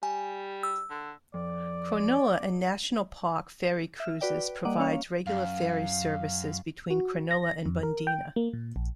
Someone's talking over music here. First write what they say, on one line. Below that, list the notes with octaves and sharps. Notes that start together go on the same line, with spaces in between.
Cronulla and National Park Ferry Cruises provides regular ferry services between Cronulla and Bundeena.
G3 G#5
E6
D3
F2 D5
E5 F6
F#4 B4 D5 G5
G3 A#3 D5 D#5 F#5 D6
A#3 C#4 C#5 F5
F#2 F5
F#4
A#6
F2
A#4
G5
A#3
A#2
A#1